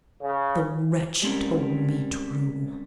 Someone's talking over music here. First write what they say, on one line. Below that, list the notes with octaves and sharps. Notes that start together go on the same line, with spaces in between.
The wretch told me true.
C#3
G3 G#3 C4 C#4 A#4